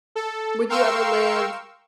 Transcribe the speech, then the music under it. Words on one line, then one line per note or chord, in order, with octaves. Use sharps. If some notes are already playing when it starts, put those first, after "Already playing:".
Would you ever live
A4
A#4 F5 G5 C6 C#6 E6